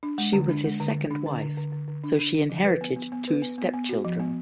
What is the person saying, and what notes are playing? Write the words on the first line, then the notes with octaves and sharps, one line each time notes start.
She was his second wife so she inherited two step children.
D4
G#3
D3
D4
G#3
D3
D3
D4
D3
D3
D3
D3
D3
D4
D4
D3
F3
B4
B3
B3
B3
B4
B3
B3
B3
F#4
F3
B3